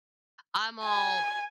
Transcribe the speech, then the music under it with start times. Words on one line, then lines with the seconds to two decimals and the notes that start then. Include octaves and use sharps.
I'm all
0.84 G#5